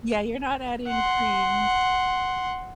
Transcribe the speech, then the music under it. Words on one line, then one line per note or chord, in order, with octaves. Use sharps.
Yeah, you're not adding creams.
F#5 C6